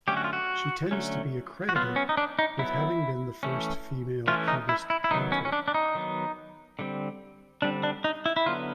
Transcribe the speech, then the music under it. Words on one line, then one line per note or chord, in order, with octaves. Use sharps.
She tends to be accredited with having been the first female cubist painter.
D3 F#3 A3 C#4 G4
F#4
F4
F#4
D3 F#3 A3 C#4
F#4
F#3 B3 F4
C#4
D#4
D4
D#4
F#3 B3 E4
E3 A3 C#4
E3 A3 C#4 F4
D#4
E4
E4
E4
D#3 F#3 B3 D#4
C#4
C#4
D4
D4
D#4
D#3 F#3 B3
D3 G3 C4
D3 G3 C4 D4
D4
D#4
E4
E4
D3 F#3 B3 F4